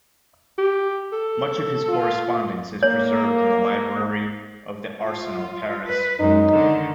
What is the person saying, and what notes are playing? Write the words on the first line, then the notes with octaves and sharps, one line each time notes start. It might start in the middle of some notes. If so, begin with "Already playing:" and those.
Much of his correspondence is preserved in the library of the Arsenal, Paris.
G4
A4
F4
A#3 C#5
F4
B4
F#2 G#3 D#4
D3 D#3